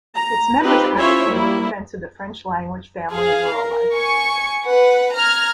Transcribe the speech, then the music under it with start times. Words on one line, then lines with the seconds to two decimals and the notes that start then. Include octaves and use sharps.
Its members advocated the defense of the French language, family, and rural life.
0.15 A#5
0.63 C4 D#4 F4 G4 B4
0.97 C#4 E4 F4 C5 C#5 E5
1.28 G3 A#3 E4
3.12 G#4 F5
3.53 A#4
3.95 G#5 C#6
4.66 B4 F#5
5.15 A#5 F6 G#6